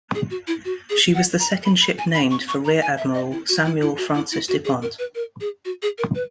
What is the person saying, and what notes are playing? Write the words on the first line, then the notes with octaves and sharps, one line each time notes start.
She was the second ship named for Rear Admiral Samuel Francis Du Pont.
G#4
F#4
E4
F#4
G#4
F#5
A#5
B5
B5
G#5
B5
C#6
C#6
A#5
G#5
E5
D#5
E4
F#4
E4
E4
F#4
E4
E4
F#4
G#4
A#4
B4
A#4
G#4
F#4
G#4
A#4
B4